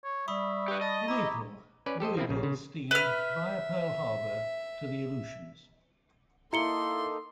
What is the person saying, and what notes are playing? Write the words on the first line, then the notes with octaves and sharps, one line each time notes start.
In April, "Louisville" steamed, via Pearl Harbor, to the Aleutians.
C#5
G3 E5 B5 C#6 D#6
G4 B4
D#5 A5
E4 A#5 D6
C#4 B4 D5
G4 A4 C5 D#5
F3 A#3 C4 E4
A#1 C#3
C#3
B4 E5 F6
A#3 D#4 E4 A4 A#5 C6 C#7 G7